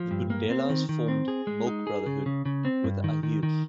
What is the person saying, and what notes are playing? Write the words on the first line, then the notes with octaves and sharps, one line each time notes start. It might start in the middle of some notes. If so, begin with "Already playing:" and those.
The Bundelas formed "milk brotherhood" with the Ahirs.
Already playing: F3
G2
A#3
C4
D#3
D#3
C4
G#4
G#3
D#4
G#4
C#3
C#3
C#3
C4
G2
D#3
D#3
D#3